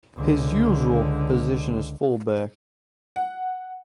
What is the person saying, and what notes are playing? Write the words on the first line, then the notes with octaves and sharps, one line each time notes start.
His usual position is full back.
C#2 D3
F#5